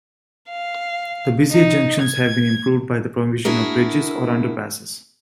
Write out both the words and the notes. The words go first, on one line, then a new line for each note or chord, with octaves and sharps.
The busier junctions have been improved by the provision of bridges or underpasses.
F5
D#4
G#6
D4 E4 F#4 G#4 A#4